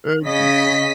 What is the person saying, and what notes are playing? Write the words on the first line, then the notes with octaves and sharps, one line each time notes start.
And, m
C#3 D#5 B6